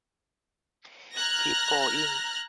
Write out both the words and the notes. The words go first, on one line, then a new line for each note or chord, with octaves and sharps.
Keep going!
A#5 F6 F#6 G#6 A#6